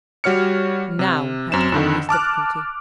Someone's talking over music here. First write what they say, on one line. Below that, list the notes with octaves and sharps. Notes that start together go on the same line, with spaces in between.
Now had come his difficulty.
G3 F#4 C#5 F6 C#7
C3
F#2 C4 E7
F2 D3 D#3
A5 D6 F6 F#6